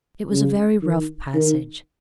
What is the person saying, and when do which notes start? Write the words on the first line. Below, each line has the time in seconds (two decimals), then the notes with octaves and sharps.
It was a very rough passage.
0.32 C#3
0.82 D#3
1.33 D#3